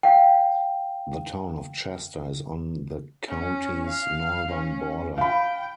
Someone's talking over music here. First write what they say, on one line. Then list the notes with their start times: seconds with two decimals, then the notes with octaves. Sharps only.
The Town of Chester is on the county's northern border.
0.03 F5 G5
3.27 C#4
3.87 F5
4.49 C#4
5.18 F5 G5 B5